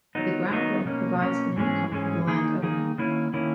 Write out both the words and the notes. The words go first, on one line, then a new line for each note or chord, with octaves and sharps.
The ground rent provides an income for the landowner.
D#3 F#3 B3 D#4
D#3 F#3 B3 D#4
B2 A#3 C#4
B2 A#3 C#4
G#2 E3 G#3 C#4 G#4
G#2 E3 G#3 C#4 G#4
D#3 A#3 D#4 G#4
D#3 A#3 D#4 G#4
D#3 A#3 C#4 E4
D#3 A#3 C#4 E4